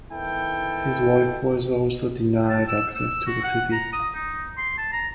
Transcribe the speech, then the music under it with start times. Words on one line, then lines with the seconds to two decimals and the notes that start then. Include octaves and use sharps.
His wife was also denied access to the city.
0.11 D#3 B3 E4 A4 G5
2.50 A5
2.68 E6
2.95 E6
3.27 F#4
3.44 F#5
3.72 A#5
3.93 D#6
4.14 D#4
4.58 C6
4.78 A5
4.92 A#5